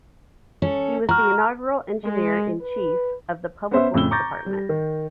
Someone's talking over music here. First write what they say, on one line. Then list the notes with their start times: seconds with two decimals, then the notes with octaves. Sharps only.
He was the inaugural Engineer in Chief of the Public Works Department.
0.62 C#4 A4
1.09 F#4 A#5 F6
2.03 G#3
2.61 B4
3.71 B3 C#4 C5 E5
3.94 F2 A2 C#3 E6 G7
4.11 A#5 C#6 D6 G6 A6 A#6
4.46 G3
4.69 D#3